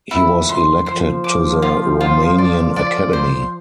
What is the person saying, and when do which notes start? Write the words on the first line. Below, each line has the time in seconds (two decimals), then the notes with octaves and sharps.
He was elected to the Romanian Academy.
0.11 F3 E4
0.49 C6
0.86 F3 C5
1.24 D6
1.62 F4
2.01 F4
2.38 D5
2.76 D5
3.13 C5